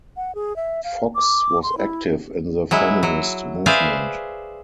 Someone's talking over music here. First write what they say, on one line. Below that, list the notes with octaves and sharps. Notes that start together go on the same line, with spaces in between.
Fox was active in the feminist movement.
F#5
G#4
E5
F5
D6
C6
E4
F#3 G#3 E4
F#3
G#4 B4 C5 D5 E5 F5